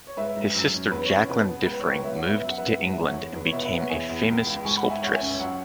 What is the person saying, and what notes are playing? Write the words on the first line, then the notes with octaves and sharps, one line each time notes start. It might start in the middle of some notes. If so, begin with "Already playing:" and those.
His sister Jacqueline Diffring moved to England and became a famous sculptress.
C#5
G#2 B4 E5
G#2
F#2
C#4
E2 B4
C#5
C#4
B2 B4
B3
C#2 B4
C#5
C#2 B4
C#5
C#2 B4 E5
C#5 F#5
B3
B4 E5
F#2 E5
F#5
F#2 B4 E5
G#2 F#5
G#2 E5
C#5 F#5
E2
E2 B4
C#5
B2 B4 E5
B4 E5
B3
C#5 F#5
E2 E5 G#5
E2
C#2
C#2
G#2 G#5 C#6
F#5 B5
G#2
E5 G#5
C#2 C#5 F#5
E5 G#5
C#4
G#5
F#2 C#5 F#5